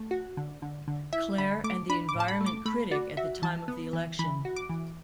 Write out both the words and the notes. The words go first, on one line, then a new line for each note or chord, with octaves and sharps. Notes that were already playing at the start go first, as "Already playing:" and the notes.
Clair and the environment critic at the time of the election.
Already playing: A3
F#4
D3
D3
D3
E4 E5
D3 B5
A3 D6
D4 B5
D6
A2 A5
B5
A3
D6
A3 B5
F#4 D5
F#4 E5
E3 A5
B3
E3
E3 B5
F#4
D6
E3